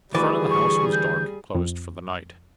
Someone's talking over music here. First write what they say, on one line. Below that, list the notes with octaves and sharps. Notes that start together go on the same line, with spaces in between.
The front of the house was dark, and closed for the night.
D2 E3 G3 G#4 D5
C#6
G6
F2